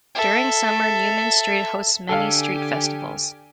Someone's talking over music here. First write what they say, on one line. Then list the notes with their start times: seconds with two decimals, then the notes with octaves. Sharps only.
During summer, Newman Street hosts many street festivals.
0.15 A4 E5
2.09 D3 G4 A4 F5 G#5